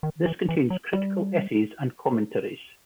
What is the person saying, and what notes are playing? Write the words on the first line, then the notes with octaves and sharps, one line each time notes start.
This contains critical essays and commentaries.
D#3
E3
E3
F#3
G3